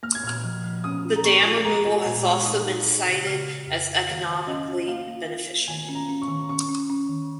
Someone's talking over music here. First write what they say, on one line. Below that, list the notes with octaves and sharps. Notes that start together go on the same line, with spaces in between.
The dam removal has also been cited as economically beneficial.
A#3 F6
G#6
A#2 F6
F3
F3
C#4 D#6
F4
A#5
A#3 C#6
F4
G#3 A#5
F4 D#5
A#2 G#5
G#3 C#6
D#4 D#6
D#4
D#4
C#3
C#3 F6
C#3
F2
F2
D#3 F5
D#3
C#4 D#5
F4
A#3 F5
A#3
F4
F4
D#3 G#5
C#4
A#5
C#4
C#6
D#3
C#4 C#6
C#4
C#4
D#3